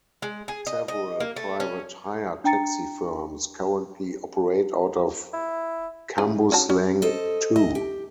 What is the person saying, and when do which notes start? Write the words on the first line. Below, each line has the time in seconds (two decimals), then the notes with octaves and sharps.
Several private hire taxi firms currently operate out of Cambuslang too.
0.22 G#3
0.48 G#4
0.67 D#5
0.88 D#5
1.20 A#3
1.36 A3
1.60 C#4
2.44 D4 G5 A#5 A6 C#7
5.33 E4
6.18 C#3 E3 G#4
6.52 C#4 F#4 A5
6.70 C#4
7.02 A4 C5 D#5
7.56 D#5 E5
7.75 G4